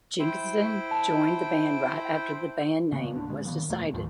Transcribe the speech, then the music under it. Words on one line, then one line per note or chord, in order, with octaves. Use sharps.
Jenkinson joined the band right after the band name was decided.
E4 C5 G5
A5
C#3 A#3 B3
D1 D3 D4
A#2 D3 G#3
D#3 F3 B3
E2 B2 A3 A#3
D2 G#2 D#3 F3